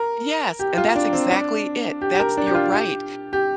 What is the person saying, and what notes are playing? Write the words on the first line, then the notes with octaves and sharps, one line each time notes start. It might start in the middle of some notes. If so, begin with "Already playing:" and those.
Yes, and that's exactly it. That's you're right,
Already playing: A#4
G4
F4
D4
C4
D4
G4
G4
A#4
D4
G4
F4
G4
G4